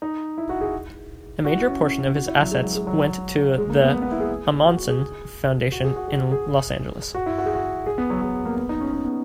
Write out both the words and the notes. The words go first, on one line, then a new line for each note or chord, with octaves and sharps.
A major portion of his assets went to the Ahmanson Foundation in Los Angeles.
D#4
E4
F#4
G#4
F#4
E4
C#4
C#4
F#4
E4
F#3
G#3
F#3
G#3
F#3
G#3
A#3
B3
B3
E4
G#4
F#4
F#4
G#4
F#4
G#4
F#4
G#4
G#4
F#4
E4
F#4
G#4
F#4
G#4
B3
F#3
F#3
A#3
B3
D#4
C#4
C#4
B3